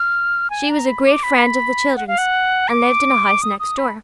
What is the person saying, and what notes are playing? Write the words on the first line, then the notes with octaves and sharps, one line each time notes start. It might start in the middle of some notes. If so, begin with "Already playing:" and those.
She was a great friend of the children's, and lived in a house next door.
Already playing: F6
G#5
A#5
B5
D6
B5
F#5
F5
F#5
D6
D#6
D#6
B5